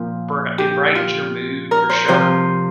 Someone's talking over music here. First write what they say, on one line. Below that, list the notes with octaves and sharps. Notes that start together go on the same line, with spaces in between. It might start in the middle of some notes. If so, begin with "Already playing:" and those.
bri it brightens your mood for sure
Already playing: A#2 F3 F4
G4
F4
A#4
C5
C3 F3 C5